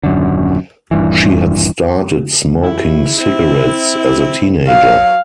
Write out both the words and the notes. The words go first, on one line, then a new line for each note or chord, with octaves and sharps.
She had started smoking cigarettes as a teenager.
D#1 F#2 D3
D#1 G2 E3
C#3 E4
C4 E4
F#3 F5